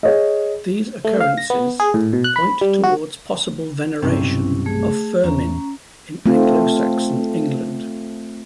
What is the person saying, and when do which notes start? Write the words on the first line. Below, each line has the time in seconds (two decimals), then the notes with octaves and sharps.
These occurrences point towards possible veneration of Firmin in Anglo-Saxon England.
0.03 G#4 C#5 D#5
1.05 A3
1.21 F5
1.38 A#6
1.50 B3
1.80 G#4
1.94 A2
2.13 B2
2.24 F#6
2.36 B5
2.61 G3
2.84 F#4
4.02 B1 G2 C3 C#4 E4
4.66 A3 G#4
5.24 E2 C#4 A#5
6.26 A3 C4 F4